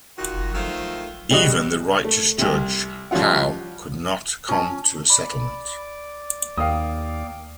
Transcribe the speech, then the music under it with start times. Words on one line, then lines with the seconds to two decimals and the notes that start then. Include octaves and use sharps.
Even the righteous Judge Pao could not come to a settlement.
0.17 D#3 F4 F#4
0.54 D#3 A3 F4 A4 C5
1.31 G3 G#3 F#4 D#5
2.05 A3
2.38 C2 C3
3.11 F3 G3 C#4 F4 F#5
4.49 C#4 F4 A5
5.10 D5 B5
6.58 D#2 A#3 F5 G5 D#6